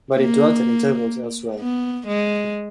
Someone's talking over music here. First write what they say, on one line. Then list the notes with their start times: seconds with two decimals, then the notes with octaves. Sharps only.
But he dwelt at intervals elsewhere.
0.16 A#3
1.60 B3
2.08 G#3